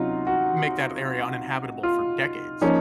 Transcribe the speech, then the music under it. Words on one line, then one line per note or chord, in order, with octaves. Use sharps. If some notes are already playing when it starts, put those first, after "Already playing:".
make that area uninhabitable for decades.
Already playing: C3 F#3 C#4 D#4 F4
F#4
F4
F3 A#3 C#4 D#4